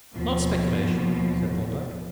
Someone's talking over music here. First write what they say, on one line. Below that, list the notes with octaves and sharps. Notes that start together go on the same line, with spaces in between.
"Not speculation," said Thorndyke.
D#2 B2 F3